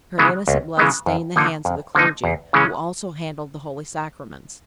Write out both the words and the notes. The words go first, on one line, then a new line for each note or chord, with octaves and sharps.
Her innocent blood stained the hands of the clergy, who also handle the Holy Sacraments.
C#3 E3 G#3 B3
C#2
C#3 E3 G#3 B3
F2
D3 F3 A#3 D#4
F2
D3 F3 A#3 D#4
E2
C#3 E3 G#3 C#4